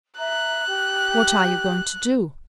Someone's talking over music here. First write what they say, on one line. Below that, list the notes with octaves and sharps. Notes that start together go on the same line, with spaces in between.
What are you going to do?
E5 A#5 F#6
G4